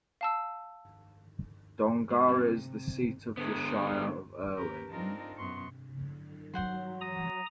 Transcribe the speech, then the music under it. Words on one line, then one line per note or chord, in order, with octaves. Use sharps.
Dongara is the seat of the Shire of Irwin.
F5 A5 E6
G#3
F#3 G3 C4
C3
D3 G#3 B3
C#4 G4 A#4 B4
C4 D4 D#4 F4 A#4 A5
F#2 B3 C6 C#6
F#3 C5 F#5 C6
A#5 D#6